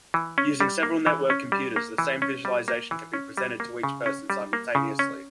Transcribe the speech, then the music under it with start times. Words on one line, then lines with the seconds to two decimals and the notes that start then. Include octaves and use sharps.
Using several networked computers, the same visualization can be presented to each person simultaneously.
0.14 E3
0.38 C#4
0.60 G3
0.83 A#3
1.06 E3
1.30 C#4
1.52 G3
1.76 A#3
1.98 E3
2.22 C#4
2.45 G3
2.68 A#3
2.91 E3
3.14 C#4
3.37 G3
3.60 A#3
3.83 C#3
4.06 C#4
4.30 G3
4.53 A#3
4.75 C#3
4.99 C#4